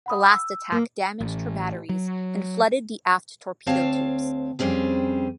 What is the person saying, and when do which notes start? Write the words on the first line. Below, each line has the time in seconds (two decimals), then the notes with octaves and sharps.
The last attack damaged her batteries and flooded the aft torpedo tubes.
0.06 F#5 B5 D#6
0.32 E6
0.72 A#3
1.21 A1
1.89 F#3
3.66 D2 C4 C#5 F5 A5
4.59 F2 G3 C4 C#4 G#4